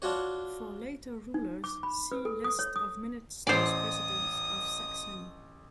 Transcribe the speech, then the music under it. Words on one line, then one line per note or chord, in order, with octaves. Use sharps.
For later rulers, see List of Ministers-President of Saxony.
D4 F4 F#4 C#5
D#4
D6
B5
B4
A4
D#6
C#5
D#6
A1 C5 D5 G#5 D#6